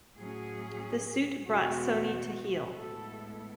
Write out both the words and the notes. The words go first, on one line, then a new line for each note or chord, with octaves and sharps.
The suit brought Sony to heel.
A2 F#3 C#4 G#4
E2 B2 G#3 B3 F#4
A2 G#3 B3 E4 A4